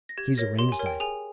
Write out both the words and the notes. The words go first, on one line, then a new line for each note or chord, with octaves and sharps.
He's arranged that.
A#6
G4 G#6
A#4 C#5 A#6
G4 C6
G#5
A#4 C#5
G5
G#4 G#5